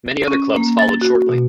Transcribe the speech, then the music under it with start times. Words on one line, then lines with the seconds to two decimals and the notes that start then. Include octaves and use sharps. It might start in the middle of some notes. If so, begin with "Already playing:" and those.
Many other clubs followed shortly.
0.28 C#4
0.57 A#3
0.79 A6
1.01 F#4
1.29 B2